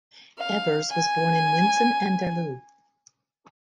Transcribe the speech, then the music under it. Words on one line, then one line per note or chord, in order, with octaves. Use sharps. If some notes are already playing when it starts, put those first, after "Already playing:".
Evers was born in Winsen an der Luhe.
F5
G#5